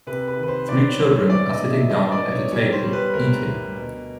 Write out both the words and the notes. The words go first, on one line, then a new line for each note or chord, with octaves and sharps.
Three children are sitting down at a table eating.
C3 B4
B4
D#3
B4
C5
D#3 D5
C#5
D#3 C5
C#5
B3 D5
D#5
D3
E5
F#3 D#5
D5
B3
C#5
G3 C#5
C5
G3
B4
D2 A#4
D2
B2